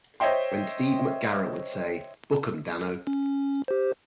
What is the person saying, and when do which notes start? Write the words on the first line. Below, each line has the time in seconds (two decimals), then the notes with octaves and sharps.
When Steve McGarrett would say, Book 'em Dano!
0.20 C5 C#5 D#5 E5 G5 C6
3.07 C#4
3.68 G4 C5